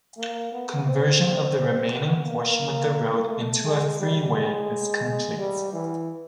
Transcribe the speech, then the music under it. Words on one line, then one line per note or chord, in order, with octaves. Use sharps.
Conversion of the remaining portion of the road into a freeway is complete.
A#3
B3
C4
B3
A#3
A3
G#3
G3
G#3
G#3
G3
E3